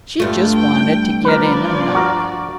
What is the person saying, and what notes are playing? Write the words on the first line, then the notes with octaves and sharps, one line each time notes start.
She just wanted to get in a knock.
G2 A3 F4
G5
F3 A#4 B4 D5
F#4 A#4